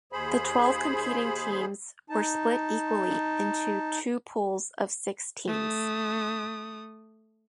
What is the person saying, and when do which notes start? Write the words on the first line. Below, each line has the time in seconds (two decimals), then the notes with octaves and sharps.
The twelve competing teams were split equally into two pools of six teams.
0.12 D#2 G#4 C5 B5
2.10 D#4 A5
5.47 A3 D#6